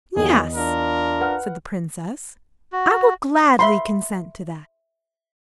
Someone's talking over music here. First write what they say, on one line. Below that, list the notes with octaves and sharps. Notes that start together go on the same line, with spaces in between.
"Yes," said the Princess, "I will gladly consent to that."
E2 D#3 F#3 G#4 D#5
D4 F4 A#4
B4 F#5 F6
F#4
E5 B5 C6